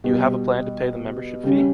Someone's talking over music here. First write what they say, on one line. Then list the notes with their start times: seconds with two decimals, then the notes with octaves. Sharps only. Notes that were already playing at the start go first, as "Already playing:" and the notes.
Do you have a plan to pay the membership fee?
0.04 B2 G3 B3
1.43 C#3 G3 C#4